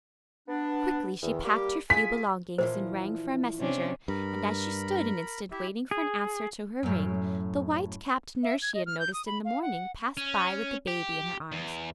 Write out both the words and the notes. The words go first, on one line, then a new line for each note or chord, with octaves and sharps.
Quickly she packed her few belongings and rang for a messenger, and as she stood an instant waiting for an answer to her ring, the white-capped nurse she had noticed in the morning passed by with the baby in her arms.
B3 D4
E2 D#3
G3 A#3 G4
F4 G#4 G#5 B6
A#2 E3 F3 C5
C3 C#4 D4
G2 A#4 B5
E4 G4 E5
G#4
F#2 A2
E5
G#6
D#5
F6
G6
D#6
B5
F5
F#5
C#4
G4
E2